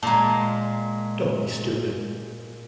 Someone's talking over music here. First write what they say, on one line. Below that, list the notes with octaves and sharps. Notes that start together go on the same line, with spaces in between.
Don't be stupid.
A#2 G#3 A5 A#5